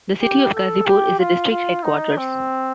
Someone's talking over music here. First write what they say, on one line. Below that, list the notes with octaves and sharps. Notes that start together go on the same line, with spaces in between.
The city of Ghazipur is the district headquarters.
G4
A4
G4
F4
F4
D#4
C4